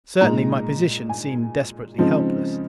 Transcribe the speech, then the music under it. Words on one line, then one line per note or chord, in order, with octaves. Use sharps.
Certainly my position seemed desperately helpless.
A#2 G#3 D#4 A#5
G#5
C#3 F3 G#3 C4 D#4